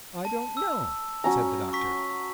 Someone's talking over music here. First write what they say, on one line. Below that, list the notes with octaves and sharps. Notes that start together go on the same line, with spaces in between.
"I don't know," said the doctor.
A5
E6
F#3 C#4 A#5
C#6 B6